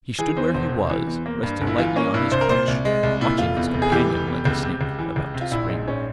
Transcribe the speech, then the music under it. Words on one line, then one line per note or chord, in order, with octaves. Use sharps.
He stood where he was, resting lightly on his crutch, watching his companion like a snake about to spring.
E3 G#4
E2 C5
E1 C5
C3
E3
E2
A#3
G2
G1
E4
E3 F4
A#3 C#4
G2 E4
C2 C5
A#4
A#2 C5
C2
G#3
C2
A#2 E4
F1 F4
E2
F1
G#4
E3 G4
F1
E2
C#2
C3
C#2
E3
C#2
C3
F4
A#1 E4
G#2
A#1 C#4